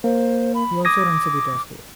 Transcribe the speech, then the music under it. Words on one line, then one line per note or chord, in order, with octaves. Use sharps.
He also runs a guitar school.
A#3 C5
B5
D6 D#6 G#6 A#6